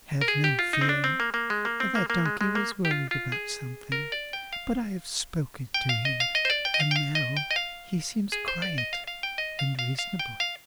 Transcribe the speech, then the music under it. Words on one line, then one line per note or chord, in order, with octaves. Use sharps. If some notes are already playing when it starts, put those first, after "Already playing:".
"Have no fear. That donkey was worried about something, but I have spoken to him and now he seems quiet and reasonable."
A#4
G#4
G4
F4
D#4
C4
D4
C4
A#3
A#3
G#3
A#3
C4
A#3
A#3
G#3
G#3
A#3
G4
F4
F4
G#4
A#4
D5
G5
F5
G5
F5
D#5
F5
D#5
C5
D5
G5
D#5
F5
G5
F5
D#5
G5
D#5
F5
G#4
C5
D5
D#5
F5
F5
G5
D#5
F5
F5
F5
G5
F5